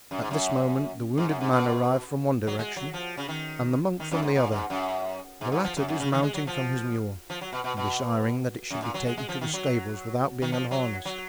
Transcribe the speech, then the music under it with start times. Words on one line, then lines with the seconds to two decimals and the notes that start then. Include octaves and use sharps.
At this moment the wounded man arrived from one direction and the monk from the other, the latter dismounting from his mule and desiring that it should be taken to the stables without being unharnessed.
0.11 F#2
0.22 G#2
0.31 F#2
1.18 G#2
1.29 F#2
1.40 G#2
1.53 B2
2.47 F#3
2.59 G#3
2.76 F#3
2.94 F3
3.17 C#3
3.28 D#3
4.00 D#3
4.11 F#2
4.22 G#2
4.35 A#2
4.52 G#2
4.70 F#2
5.41 G#2
5.52 G#2
5.64 F3
5.77 F#2
5.88 F#2
6.00 C#3
6.12 D#3
6.23 G#3
6.34 F#3
6.47 F3
7.30 F3
7.41 F#3
7.53 B2
7.64 B2
7.77 B2
8.70 F#2
8.82 A#2
8.94 F#3
9.06 G#3
9.17 G#3
9.29 F3
9.41 D#3
9.53 F#3
10.42 D#3
10.52 F3
10.71 F#3
11.05 F#3